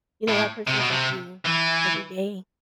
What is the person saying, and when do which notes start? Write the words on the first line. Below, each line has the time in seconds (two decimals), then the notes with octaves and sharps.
you know, that person's with you every day
0.29 A2
0.67 C3
0.80 B2
0.91 C3
1.45 E3